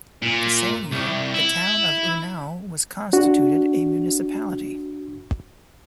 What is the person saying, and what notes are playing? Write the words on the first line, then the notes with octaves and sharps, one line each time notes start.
The same year the town of Unnao was constituted a Municipality.
A#2
C2
E4
D4 F#4